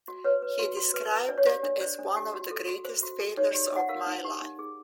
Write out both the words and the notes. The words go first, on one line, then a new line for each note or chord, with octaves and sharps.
He described that as one of the greatest failures of my life...
F#4
B4 C#5
B4
F#4
F#4
B4
B4
D4 D5
C#5
G4 D5
D4
C5 D5
D4
G4
F#4
A4
F#4
C5
F#4
A4
D#4 C#5
D5
G4
D#4 F#5
A#4 F5
D#4
G4
D#4
G#4